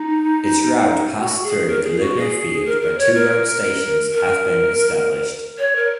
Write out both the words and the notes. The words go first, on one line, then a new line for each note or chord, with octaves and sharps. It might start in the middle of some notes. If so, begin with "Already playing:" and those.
Its route passed through the Livno Field where two road stations have been established.
Already playing: D#4
F#4
G#4
A#4
G#4
F#4
G#4
A#4
A#4
C#5
A#4
A#4
C#5
A#4